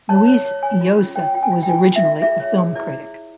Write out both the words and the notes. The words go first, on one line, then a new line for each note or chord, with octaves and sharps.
Luis Llosa was originally a film critic.
C#5 A5
C#5
C#5
C#5 G#5
F4
C#4
C#5 G5
F4 G5
G#5
F4
G5
F4 G#5
F4
E5
F4
G#4 E5
C#5
G#4
E4 D5